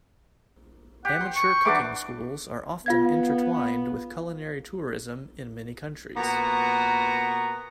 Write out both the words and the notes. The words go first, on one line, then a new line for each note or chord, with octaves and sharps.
Amateur cooking schools are often intertwined with culinary tourism in many countries.
G4 F#5
C6
C#6
E3 F#3 D4 D6
B3 F4 F5 G#6
A#2 B3 F#4 A#5